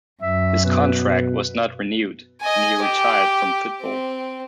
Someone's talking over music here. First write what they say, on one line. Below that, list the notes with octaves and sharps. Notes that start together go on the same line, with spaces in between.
His contract was not renewed and he retired from football.
F#2 E5
B2 B4
D#5 G#5
G4
C4